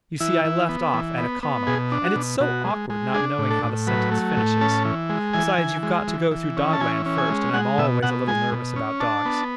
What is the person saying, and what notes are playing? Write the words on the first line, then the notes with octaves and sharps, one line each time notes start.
You see I left off at a comma, and it's so awkward not knowing how the sentence finishes! Besides, you've got to go through Dogland first, and I'm always a little nervous about dogs.
E3 E4
E3
B3
E3
B3
B3
B2 G#4
D4
F#4
B2
B2 F#4
G#3
G#3
D4 G#4
A2
A4
A2
F#3 B4
A3
A2
C#4 A5
E3
G#3
E3 G#5
E3
G#3
E3
E3
C#4
A5
E3 G#5
C#4
G#5
G#3
G#3 F#5
B2 E5
B2 F#5
G#3 G#5
B2
C#4
D4 A5
B3